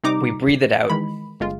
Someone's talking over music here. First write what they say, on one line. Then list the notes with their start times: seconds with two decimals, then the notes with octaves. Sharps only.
We breathe it out.
0.03 C3 G3 D#4 A#5 D6
0.90 D#3 E3 G#3 B5
1.40 G1 G#3 F4